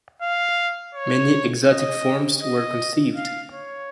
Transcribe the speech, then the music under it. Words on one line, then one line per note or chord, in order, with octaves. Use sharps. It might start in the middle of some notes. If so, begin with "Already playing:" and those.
Many exotic forms were conceived.
F5
C#5
D#5
D#5
F5
C#5